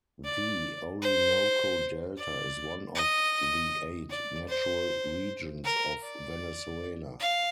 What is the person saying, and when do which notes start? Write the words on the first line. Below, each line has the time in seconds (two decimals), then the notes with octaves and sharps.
The Orinoco Delta is one of the eight natural regions of Venezuela.
0.24 D5
1.02 C5
2.17 D5
2.95 D#5
4.10 D5
4.49 C5
5.65 A#4
6.03 D5
7.20 F5